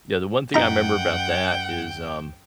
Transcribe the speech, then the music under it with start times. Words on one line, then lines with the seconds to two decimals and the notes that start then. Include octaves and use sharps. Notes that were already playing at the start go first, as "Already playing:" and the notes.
yeah, the one thing I remember about that is, um,
0.54 F#2 D#4 F#5 G5 A#5